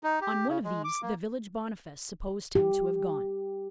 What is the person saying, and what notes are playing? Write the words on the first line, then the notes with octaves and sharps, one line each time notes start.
On one of these the village Boniface supposed him to have gone.
D#4
G4
C#3
G#3
D6
A#3
G4